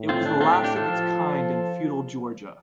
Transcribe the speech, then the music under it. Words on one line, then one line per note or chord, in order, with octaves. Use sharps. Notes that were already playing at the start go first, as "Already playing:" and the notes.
It was the last of its kind in feudal Georgia.
Already playing: A2
C4 F4
D4
C4 F4
D4 G4
D4 G4
F4 A4
F3